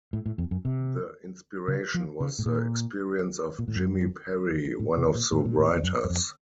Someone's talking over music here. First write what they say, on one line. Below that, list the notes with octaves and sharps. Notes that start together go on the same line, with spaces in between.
The inspiration was the experience of Jimmy Perry, one of the writers.
A2
A2
F2
F#2
C3
C#3
F3
C#3
A2
A#2
A#2
A2
F#2
A2
C3
A#2
A2
A#2
A2
F#2
F#2
F2